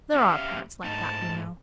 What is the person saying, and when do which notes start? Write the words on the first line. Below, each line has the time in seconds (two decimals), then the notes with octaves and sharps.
There are parents like that, you know.
0.15 C#4 G4 E5 F5
0.84 G#2 A3 D#4 A5